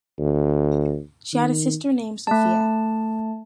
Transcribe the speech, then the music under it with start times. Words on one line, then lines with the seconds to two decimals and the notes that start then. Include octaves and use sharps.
She had a sister named Sophia.
0.19 D2
1.33 D#3
2.27 A3 A5